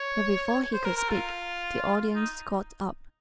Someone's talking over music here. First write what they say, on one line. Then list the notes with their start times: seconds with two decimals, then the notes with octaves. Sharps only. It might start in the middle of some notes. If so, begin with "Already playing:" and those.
But before he could speak, the Audience got up.
Already playing: C#5
0.74 C5
0.85 A#4
0.97 A#4
1.10 F4
2.15 D#4